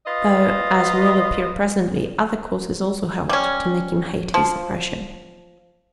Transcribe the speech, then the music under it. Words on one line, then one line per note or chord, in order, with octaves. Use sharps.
Though, as will appear presently, other causes also helped to make him hate his oppression.
F4 B4 D#5
G3 C#4
F3